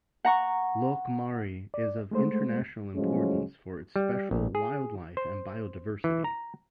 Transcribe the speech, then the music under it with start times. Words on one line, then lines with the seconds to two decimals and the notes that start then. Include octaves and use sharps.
Loch Maree is of international importance for its special wildlife and biodiversity.
0.25 F#5 A#5 C#6
1.74 D5
2.11 G#3 A3 C5
2.96 A2 C#3 F3 F#3 G#3 C#4
3.96 G3
4.31 A#1
4.55 G#4
5.17 C5
6.04 E3
6.24 A#5